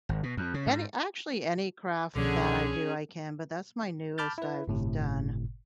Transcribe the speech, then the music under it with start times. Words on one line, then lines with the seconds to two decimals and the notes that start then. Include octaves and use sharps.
any actually, any craft that I do, I can, but that's my newest I've done.
0.09 G#1
0.23 B2
0.37 F2
0.54 C#3
0.67 G#2
2.15 C2 B2 D3 F3 C#4 G#4
4.18 A5 B5 D6 F6 G6 A6
4.38 E4 B4
4.68 G1 A2 C3